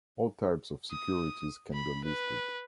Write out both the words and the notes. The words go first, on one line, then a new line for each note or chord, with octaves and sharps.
All types of securities can be listed.
D#6
B5
B4